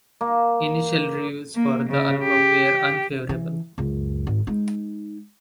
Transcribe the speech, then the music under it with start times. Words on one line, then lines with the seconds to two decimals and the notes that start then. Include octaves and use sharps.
Initial reviews for the album were unfavorable.
0.21 A#3
1.55 A#3
1.90 C#3
2.23 G4
3.29 E3
3.78 C#2 F#2
4.27 G#1
4.47 G#3 D#4